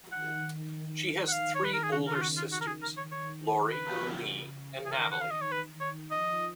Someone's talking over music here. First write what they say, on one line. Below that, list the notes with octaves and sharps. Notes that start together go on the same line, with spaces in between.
She has three older sisters; Lori, Lee, and Natalie.
D#3 F#5
F#5
D#3 F5
C#5
B4
A#4
G#4
C#3 F#4
A#4
F4
F#4
F4
D#3 F#4
A#4
G#4
A#4
C#5
C#5
C#3 B4
G#4
D#3 A#4
F#5
F5
D#5
C#5
B4
C#5
F3 D#5